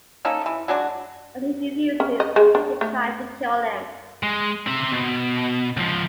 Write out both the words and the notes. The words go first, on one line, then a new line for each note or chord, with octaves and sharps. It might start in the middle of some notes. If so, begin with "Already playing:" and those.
When he refuses, they try to kill him.
A#3 C#4 D#4 A4
C3 E3
F#3 G#3 D4 F#4
C#4
D#5
G#3
D4
A3
G#3
C4 E5
B2
C#2 F3